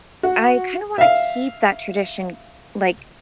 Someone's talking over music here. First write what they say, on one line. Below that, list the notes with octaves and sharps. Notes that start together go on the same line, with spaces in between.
I kinda wanna keep that tradition, like,
F#4
E5 F5